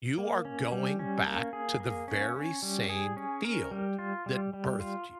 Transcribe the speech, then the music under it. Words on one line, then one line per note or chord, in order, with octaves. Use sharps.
you are going back to the very same field that birthed you.
A#3
C#4
G3
C#4
A#3
G#4
A#3
C#4
C#4
G3
G#4
C#4
A#4
G3
F4
G3
G3
F4